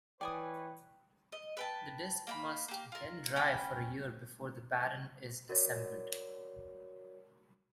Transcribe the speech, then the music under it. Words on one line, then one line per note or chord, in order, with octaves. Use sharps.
The disk must then dry for a year before the baren is assembled.
E3 B4 C#5 D5 G5 G#5 D#6
D#5
B4 G5 A5
A#3 G5 B5
A#3 G4
F4 A#4
C#4 G5 B5
F#4 A#4 C#5 D5